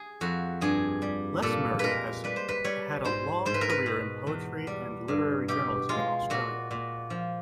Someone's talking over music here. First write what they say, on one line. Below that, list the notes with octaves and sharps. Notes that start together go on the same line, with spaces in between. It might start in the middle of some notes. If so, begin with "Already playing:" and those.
Les Murray has had a long career in poetry and literary journalism in Australia.
Already playing: G#4
F2 F#4
G2 G#4
G3
A#2 A4
G#3 A#4 B4
G3 B4
C5
B4
G3 C#5
G#2 C5
G#2 C5
B4
A#4
B4
B2
E2
G3
G2
B2 G4
G#3 F4
A#2 F#4
A#2
F3